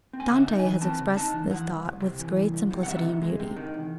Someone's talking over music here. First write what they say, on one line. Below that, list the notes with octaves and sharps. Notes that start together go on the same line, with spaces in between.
Dante has expressed this thought with great simplicity and beauty.
C4
G#5
C#3 F#5
E5
D#4
G#5
E3
C4 A5
C#3
D#4 A5
E3
E3 F#5
C2
C2
C3
E3
C2
C2
C3
F#5
D#3 E5
E2
G#3
C3
D#3
E2